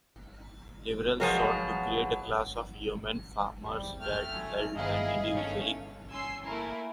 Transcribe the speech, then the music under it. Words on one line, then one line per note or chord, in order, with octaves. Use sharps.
Liberals sought to create a class of yeoman farmers that held land individually.
B2 F3 F#3 G#3 A#4
E2 C3 G3
A3 G5 F6
D3 F#3 G#5
G2 D#3 B3 E4 G#4 D#5 F5
A3 C#4
C#4 G#5 C6 E6 C7
A3 A#3 E4 A#4 G#5